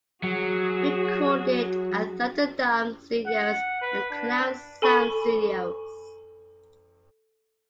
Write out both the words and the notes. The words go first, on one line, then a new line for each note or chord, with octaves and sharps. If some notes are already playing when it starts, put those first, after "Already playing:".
Recorded at Thunderdome Studios and Clown Sound Studios.
F#3 F#4 G#4
F#5
B4
D4
A4 G#5 B5 C#6